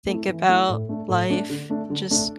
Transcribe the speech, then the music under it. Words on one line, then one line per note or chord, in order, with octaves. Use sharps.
think about life and just
A3 E4
E3
A3 E4
A2
A3 D4
A2
A3 D4
D3
A3 D4
D3
A3 D4